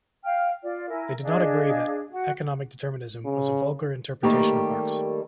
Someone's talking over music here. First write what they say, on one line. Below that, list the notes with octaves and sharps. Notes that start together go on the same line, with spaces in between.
They did not agree that economic determinism was a vulgar interpretation of Marx.
F5 G5 F6
F4 D5
E4 A#4 G#5
D4 G#4 D#5 F5
F#4 F#5
C#3
D#3 G3 A3 A#3 G4